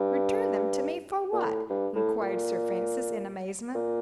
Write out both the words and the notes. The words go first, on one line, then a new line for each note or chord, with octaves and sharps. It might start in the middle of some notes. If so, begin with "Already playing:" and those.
"Return them to me--for what?" inquired Sir Francis, in amazement.
Already playing: G2
A#2
A2
G2
A2
A#2
A#2